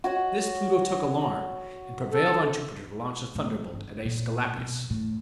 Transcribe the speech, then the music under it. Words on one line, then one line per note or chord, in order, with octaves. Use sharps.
At this Pluto took alarm, and prevailed on Jupiter to launch a thunderbolt at Aesculapius.
F#4 C#5 F#5
A4
A2
D#2
G1
A#2
B2
A2